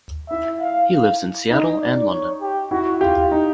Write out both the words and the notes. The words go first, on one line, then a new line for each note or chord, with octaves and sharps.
He lives in Seattle and London.
E4 E5
F5
F5
D#4 D#5
D5
C#5
G4
E4 F#4
F4 G4
D#4